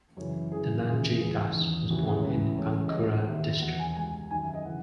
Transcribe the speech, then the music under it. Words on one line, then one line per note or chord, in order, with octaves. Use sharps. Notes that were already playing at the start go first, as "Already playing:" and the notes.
Dhananjay Das was born in Bankura district.
F#2 C#3 E3 C#5
F#2 C#3 E3 G#4
D#2 C#3 E3 G#4
C#2 C#3 E3 G#4
E2 D#3
D#2 C#3 E3 F#4
G#4
C#5
C#2 C#3 E3 B4
C#2 C#3 E3 C#5
D#5
C#2 B2 C#5
D#2 D#3 E5
E2 B2 F#5
G#5
C#2 B2 G#5
F#2 D#3 G#5
E5
D#5
C#3 E3 F#5